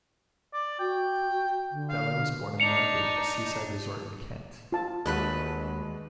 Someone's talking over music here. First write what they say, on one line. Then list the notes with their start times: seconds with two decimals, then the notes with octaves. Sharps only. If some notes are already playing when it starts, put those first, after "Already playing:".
Deller was born in Margate, a seaside resort in Kent.
0.53 D5
0.80 F#4 G5
1.72 D3
1.90 F5
2.60 D4 D#4 C#7 F7
4.72 F4 A5
5.06 D#2 G#3 A3 D4 F#4 B4 F#6